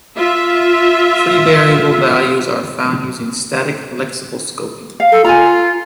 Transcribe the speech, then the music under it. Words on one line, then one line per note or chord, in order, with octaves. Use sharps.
Free variable values are found using static lexical scoping.
F4 E5
F5
A4
F4 G#5 A#5